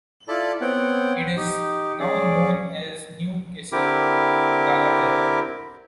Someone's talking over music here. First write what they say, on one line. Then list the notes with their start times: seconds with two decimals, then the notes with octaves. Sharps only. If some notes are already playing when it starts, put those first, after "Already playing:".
It is now known as New Castle, Delaware.
0.28 E4 F4 A4 D5 A5 B5
0.61 B3 C4 C#5 F#5 G5
1.36 D#4 G4
2.00 C#4 G#4 D5
3.72 D3 C4 E4 G4 A#4 D6